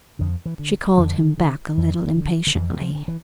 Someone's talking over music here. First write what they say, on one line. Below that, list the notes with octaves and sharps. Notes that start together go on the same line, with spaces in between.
She called him back a little impatiently.
F2 D3
E3
D3
F2 D3
D3
F2
D3
D3
F2 E3
F3
D3
E3